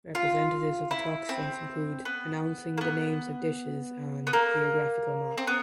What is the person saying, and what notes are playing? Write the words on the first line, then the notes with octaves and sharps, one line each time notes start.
Representatives of the talk strings include "Announcing the Names of Dishes" and "Geographical Map".
F4
E4
C4
B3
A#3
B3
B3
A#3
C4
B3